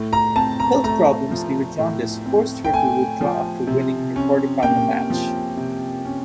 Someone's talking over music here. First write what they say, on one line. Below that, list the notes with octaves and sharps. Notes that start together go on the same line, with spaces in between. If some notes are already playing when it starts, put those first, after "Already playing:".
Health problems due to jaundice forced her to withdraw after winning her quarterfinal match.
Already playing: A2
A#5
C4 A5
A#5
A3 A#5
F3
A2
C4
G5
A3 G#5
F3
C3
C#4
A#3 G5
F3
C3
C#4